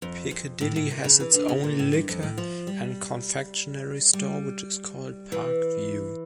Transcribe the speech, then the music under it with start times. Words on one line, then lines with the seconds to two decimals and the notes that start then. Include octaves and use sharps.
Piccadilly has its own liquor and confectionery store, which is called Parkview.
0.02 F2
0.31 F2
0.61 A2
0.76 A2
0.91 A#2
1.04 C#3
1.20 E3
1.34 D3
1.49 C#3
1.64 A#2
1.79 A2
1.93 G2
2.09 F2
2.23 A2
2.38 F3
2.67 G3
4.13 G3
5.32 E3